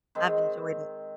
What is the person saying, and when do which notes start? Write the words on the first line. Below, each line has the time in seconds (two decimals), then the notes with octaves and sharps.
I've enjoyed it.
0.15 D#3 G#3 C4